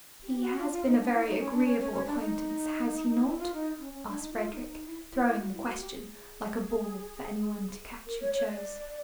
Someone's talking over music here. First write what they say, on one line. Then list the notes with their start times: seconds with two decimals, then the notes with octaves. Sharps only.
'He has been a very agreeable acquaintance, has he not?' asked Frederick, throwing the question like a ball for any one to catch who chose.
0.23 G4
0.40 F#4
0.58 F4
0.72 F4
0.85 D#4
0.99 D4
1.12 E4
1.25 D#4
1.39 C#4
1.51 D4
1.65 C#4
1.79 C#4
1.92 C#4
2.05 D4
2.19 D#4
3.25 E4
3.39 F4
3.53 D#4
3.79 C#4
3.93 C#4
4.07 D4
4.19 D#4
4.33 F4
4.51 D#4
4.68 D#4
4.86 E4
5.12 E4
5.26 E4
5.40 F#4
5.54 E4
5.66 F#4
5.80 G4
5.94 G#4
8.07 A#4
8.21 C#5
8.34 C#5
8.47 D5